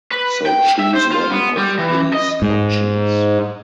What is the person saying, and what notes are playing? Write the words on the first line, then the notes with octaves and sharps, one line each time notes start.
So choose one of these options.
B4
G5
E5
C5
F4
B3
G3
E3
D#5
G#2